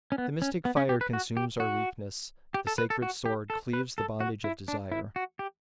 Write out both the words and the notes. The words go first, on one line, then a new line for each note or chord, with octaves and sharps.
The mystic fire consumes our weakness, the sacred sword cleaves the bondage of desire.
C#4
B3
C#4
B3
C#4
G4
B4
F#4
G4
F#4
G4
A4
B4
A4
F#4
G4
A4
B4
A4
F#4
E4
D4
E4
F#4
G4